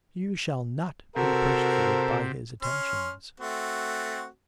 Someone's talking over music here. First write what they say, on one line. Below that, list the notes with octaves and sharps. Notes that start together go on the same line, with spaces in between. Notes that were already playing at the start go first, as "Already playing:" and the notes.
'You shall not be persecuted by his attentions.'
C3 F#4 A4 A#4 C5
C#4 C6 F6
A3 C4 F#4